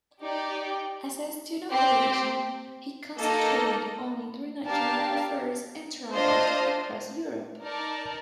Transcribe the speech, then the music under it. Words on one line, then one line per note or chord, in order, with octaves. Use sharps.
As a student politician he concentrated on international affairs and travelled across Europe.
D#4 G4 D5 G5
C4 G4 C5 G5
A#3 D#4 A4 D#5 A5
D4 G4 A#4 F5 A5
D4 F4 C5 D#5
D#4 A#4 D5 A5